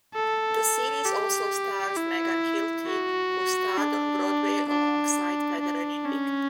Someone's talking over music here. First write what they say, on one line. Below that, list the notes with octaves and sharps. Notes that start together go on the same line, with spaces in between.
The series also stars Megan Hilty, who starred on Broadway alongside Federer in "Wicked".
A4
G4
E4
F#4
D4
D4
D4
C#4